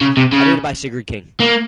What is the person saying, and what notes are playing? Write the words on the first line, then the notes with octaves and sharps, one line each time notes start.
Edited by Sigrid King.
C#3
C3
C#3
A#3